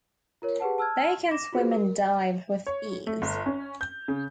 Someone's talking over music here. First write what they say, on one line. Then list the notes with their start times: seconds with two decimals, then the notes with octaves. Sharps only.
They can swim and dive with ease.
0.42 F4 A#4 C#5
0.60 G4 G#4 B4 F#5 A5
0.78 A5 E6 F6 G#6
1.31 D6 A#6 E7
1.53 F4 F#4 G#4 B4 C5
1.71 A#4
2.67 C#5
3.07 A3
3.22 G1
3.46 C#4
3.81 G6
4.08 C#3